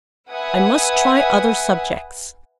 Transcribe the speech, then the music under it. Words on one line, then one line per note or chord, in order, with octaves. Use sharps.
"I must try other subjects."
B4 E5 F#5 G#5 D#6